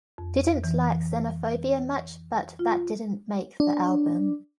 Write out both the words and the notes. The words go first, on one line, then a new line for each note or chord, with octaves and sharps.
Didn't like Xenophobia much but that didn't make the album.
F2
E3
F4
D4